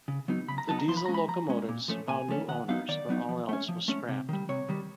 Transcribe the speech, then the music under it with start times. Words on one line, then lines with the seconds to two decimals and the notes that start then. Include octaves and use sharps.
The diesel locomotives found new owners, but all else was scrapped.
0.08 C#3
0.28 F#3 B3 D#4
0.48 C#3 B5
0.58 A#5
0.68 F#3 B3 D#4 A5
0.79 A#5
0.88 F3 C6
0.97 B5
1.06 G#3 C#4 A#5
1.14 B5
1.28 F3 A#5
1.49 G#3 C#4
1.69 A#2
1.88 F3 A3 C#4
2.08 A#2 G#5
2.28 F3 A3 C#4
2.48 D#3 F#5
2.68 F#3 B3 D#4 F5
2.88 D#3 D5
3.09 F#3 B3 D#4
3.29 F3
3.49 A3 C#4
3.68 F3
3.88 A3 C#4
4.08 C3
4.29 D#3 G3
4.49 C3 C#5
4.69 D#3 G3